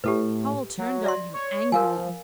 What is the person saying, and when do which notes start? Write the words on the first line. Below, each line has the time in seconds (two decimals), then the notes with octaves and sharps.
Paul turned on him angrily.
0.04 A2 G4 A4 B4
0.78 F#3
1.04 D5 E5 C6
1.33 C#5
1.72 F3 A#4 F5 G#5